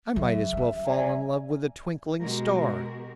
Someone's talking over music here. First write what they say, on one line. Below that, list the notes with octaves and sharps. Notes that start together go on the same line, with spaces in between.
I might as well fall in love with a twinkling star.
C#3 F#3 E5
G3 C#4
D5 G#5 A#5
B2 G#3 F#4 G4 A#4